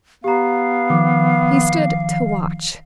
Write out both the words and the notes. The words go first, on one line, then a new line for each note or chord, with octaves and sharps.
He stood to watch.
B3 G4 F5 A#5
D#3 F3 D6